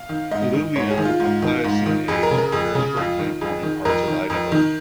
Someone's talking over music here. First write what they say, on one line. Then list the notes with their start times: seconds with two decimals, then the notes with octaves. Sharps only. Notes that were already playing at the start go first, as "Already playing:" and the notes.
Alluvium of Pliocene age occurs, for example, in parts of Idaho.
Already playing: F5
0.09 D#3
0.31 G#2 D#5
0.53 D#3
0.76 G#2 C#5
0.90 G#4
0.98 D#3
1.05 F4
1.20 G#2
1.42 D#3
1.64 G#2
1.86 D#3
2.08 F2 G#4
2.23 A#4
2.31 C#3
2.38 A#4
2.52 F2 G#4
2.75 C#3
2.97 F2 F4
3.19 D#3
3.41 F2 G#4
3.63 D#3
3.85 F2 A#4
4.08 D#3
4.30 F2
4.52 D#3